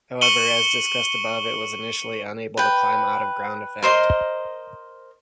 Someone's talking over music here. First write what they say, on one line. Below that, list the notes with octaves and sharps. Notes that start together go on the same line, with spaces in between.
However, as discussed above, it was initially unable to climb out of ground effect.
C#6 C#7 D#7 F#7 G7
B4 G5
A#4 C5 D#5 C6